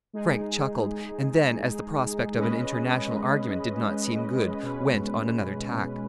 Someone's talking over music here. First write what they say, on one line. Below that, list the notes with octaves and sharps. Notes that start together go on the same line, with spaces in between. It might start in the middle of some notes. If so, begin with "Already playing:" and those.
Frank chuckled; and then, as the prospect of an international argument did not seem good, went on another tack.
G#3 D#4 G#4
G#3 C#4 B4 D#5
B2 G#3 C#4 B4